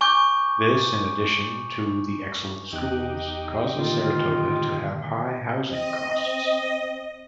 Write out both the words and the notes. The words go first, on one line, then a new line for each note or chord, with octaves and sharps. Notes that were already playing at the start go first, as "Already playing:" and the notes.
This, in addition to the excellent schools, causes Saratoga to have high housing costs.
G#5 C#6 D6 G6
E2 D#4 G4 F#6
A#2 D3 D#3 F4
C4 D#5